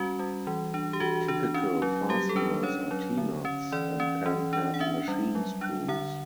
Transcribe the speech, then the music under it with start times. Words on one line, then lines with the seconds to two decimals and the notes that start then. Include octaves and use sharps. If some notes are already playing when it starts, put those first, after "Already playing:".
Typical fasteners are T-nuts and pan-head machine screws.
Already playing: G3 C#4 F#4
0.19 G3
0.47 E3
0.74 D4
0.93 G4
1.00 E3 F#4
1.28 D4
1.54 C#4
1.82 F#3
2.09 G3 G4
2.29 A4
2.36 D4 B4
2.63 C#4 C#5
2.91 F#3
3.17 D3
3.45 C#4
3.72 E3 D5
4.00 C#4
4.26 E3
4.53 D4
4.74 F#5
4.80 C#4 E5
5.08 G3
5.35 F#3
5.61 D4
5.88 D3 F#5